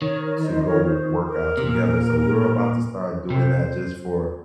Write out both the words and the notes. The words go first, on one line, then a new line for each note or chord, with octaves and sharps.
to go work out together, so we're about to start doing that just for
D#3 A#4 C#5
C5
A#4 C#5
C5 D#5
D#5
A#4 C#5
C5
A#4
C3
A#2
C3 C5